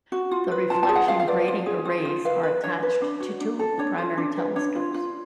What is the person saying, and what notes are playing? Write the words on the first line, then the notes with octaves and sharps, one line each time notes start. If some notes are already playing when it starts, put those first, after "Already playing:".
The Reflection Grating Arrays are attached to two of the primary telescopes.
F#4
F4
B4
F4 A5
A5
G#4
F#5
F4 F5
F5
B4 D5
F4
G#4
F4
F4
B4 F5
B4
D4 C#5
B4
D4
F#4
D4
A4
D4 C#5
F4
D4
B4
D4 C#5
F4
F4